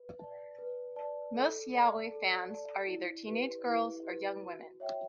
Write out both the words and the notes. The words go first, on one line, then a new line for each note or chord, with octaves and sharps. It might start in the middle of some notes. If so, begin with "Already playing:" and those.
Most yaoi fans are either teenage girls or young women.
Already playing: B4
D5 A5
B4
D5 A5
A4
D5 A5
A4
D5 A5
E4
G4 B4
E4
G4 B4
F#4
C#5 E5 G5